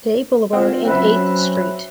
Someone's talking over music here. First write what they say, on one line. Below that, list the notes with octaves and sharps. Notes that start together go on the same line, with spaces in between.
Day Boulevard and Eighth Street.
C4 F4
F#3 C4 C#4 B4 E5